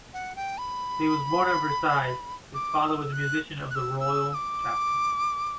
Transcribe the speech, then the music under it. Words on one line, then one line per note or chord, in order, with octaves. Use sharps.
He was born at Versailles; his father was a musician of the royal chapel.
F#5
G5
B5
D6
E6
F#6
F#6
E6
E6
E6
D6